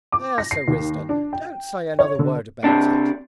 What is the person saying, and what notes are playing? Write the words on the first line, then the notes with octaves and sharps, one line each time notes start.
There, Sir Risdon; don't say another word about it.
D6
A#6
C7
D#2
D4
G5
C#5
D3
C3 D4